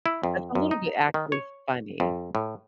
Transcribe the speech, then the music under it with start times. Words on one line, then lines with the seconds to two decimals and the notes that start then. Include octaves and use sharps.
That's a little bit actually funny.
0.06 E4
0.23 F2
0.55 F#2
0.71 D#4
1.14 D#3
1.32 C#5
2.00 F2
2.35 A2